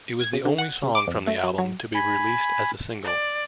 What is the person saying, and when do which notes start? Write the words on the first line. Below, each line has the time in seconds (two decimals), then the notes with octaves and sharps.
It was the only song from the album to be released as a single.
0.21 G#6
0.33 C#3
0.45 D3
0.58 F#5
0.83 C#3
0.95 D6
1.08 F2
1.27 A3
1.44 F#3
1.58 F#3
1.95 G#5 B5
3.04 D5